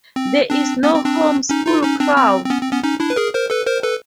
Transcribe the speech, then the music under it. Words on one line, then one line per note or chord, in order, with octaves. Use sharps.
There is no home school crowd.
C4
C4 D4
B3 C#4
C4
C4 D4
C#4 D#4
D#4 F4
C#4 D#4
C4 D4
C4
C4
B3 C#4
C4
B3 C#4
C#4 D#4
D4 E4
B4
G#4 A#4
A#4 C5
A4 B4
A#4 C5
A4 B4